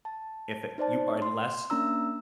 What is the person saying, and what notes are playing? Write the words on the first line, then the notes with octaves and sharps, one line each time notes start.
if i you are less
A5
D#4 C5 D5 A5
C6
A#3 C#4 D4 A#5 E6